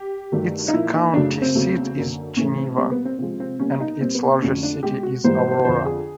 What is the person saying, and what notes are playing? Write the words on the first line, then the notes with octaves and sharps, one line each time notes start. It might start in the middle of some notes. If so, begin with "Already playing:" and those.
Its county seat is Geneva, and its largest city is Aurora.
Already playing: G4
G2 D#3 F#3 A3
D#4
A#2 F3 A#3 E4
D#4
F#2 C#3 F#3 A3 D4
C4
E2 C#3 F#3 A3
F#2 D3 F#3 A#3
A2 E3 A3 C#4
C4
B2 G3 A#3 C4
B3
C4
C3 F3 G#3 C4
C4
B2 G3 A#3 C#4
D#4
A#2 G3 A#3 C4
B3
C4
F2 D3 F#3 A3 C#4
D4
B2 G#3 G4
F#4
G#2 E3 G3 A#3 C5
C5
C5
F2 D3 F3 C5
G#4